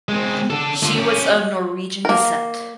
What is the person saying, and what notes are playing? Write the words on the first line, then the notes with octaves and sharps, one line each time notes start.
She was of Norwegian descent.
G#3 C4
D4 A4
D3 F4
C#4 G4
A#3 A#4